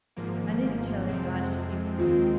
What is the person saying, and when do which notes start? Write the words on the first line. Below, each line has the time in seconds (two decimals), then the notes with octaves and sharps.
I needn't tell any lies to you, you know.
0.16 G#1 G#2 F3 A#3
1.08 F2 C3 F3 G#3 C4
1.98 D#2 D#3 G#3 C4 F4